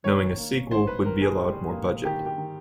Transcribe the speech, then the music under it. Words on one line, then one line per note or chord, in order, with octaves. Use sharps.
Knowing a sequel, would be allowed more budget.
D#3 C#5
A#3
D#3 C5
B4
D#3 A#4
G#4
G3
A#3
D#3 G4
G4
D#3